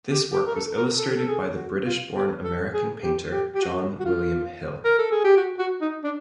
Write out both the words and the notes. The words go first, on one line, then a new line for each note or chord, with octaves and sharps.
This work was illustrated by the British born American painter John William Hill.
G4
G4
A#4
A4
A#4
A4
A4
G#4
F#4
F4
G4
A4
G#4
G4
G4
G4
F#4
F#4
F4
A#4
A4
G#4
G4
F#4
F#4
D#4
D4